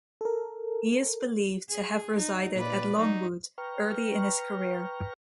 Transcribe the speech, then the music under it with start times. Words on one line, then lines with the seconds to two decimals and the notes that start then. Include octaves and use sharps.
He is believed to have resided at Longwood early in his career.
0.21 A4 A#4
1.70 G#4
2.18 D#4
2.54 A#2 B4 D5
2.97 F#3 D#4
3.58 B4 G5 A#5 C#6 F6